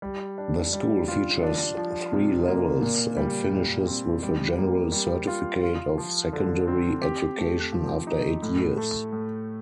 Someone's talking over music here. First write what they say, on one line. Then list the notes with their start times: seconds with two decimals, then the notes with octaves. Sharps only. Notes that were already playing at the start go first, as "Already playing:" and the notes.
The school features three levels and finishes with a general certificate of secondary education after eight years.
0.02 G3
0.38 D4
0.73 G3
1.08 F4
1.43 D4
1.77 F3
2.12 C3
2.48 A#3
2.82 A#2
3.17 G3
3.52 A#2
3.87 C4
4.23 G3
4.58 A#3
4.92 G3
5.27 F4
5.63 F4
5.98 F3
6.33 D3
6.67 C4
7.02 G4
7.38 A3
7.73 F3
8.07 D#4
8.42 A2
8.77 A3
9.12 A2